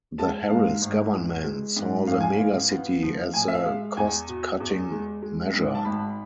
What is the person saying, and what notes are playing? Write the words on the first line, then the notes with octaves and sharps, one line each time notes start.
The Harris government saw the megacity as a cost-cutting measure.
G#3 A5
G#2 F5
G#1
E3
G#3
G#2
G#1 F5
G#5
F5
E3
B3
F3
A2 G#5
E5
F5
G#3
E2 G#5
B2
E2
G#3
G#3
G#2
A5
G#1 B5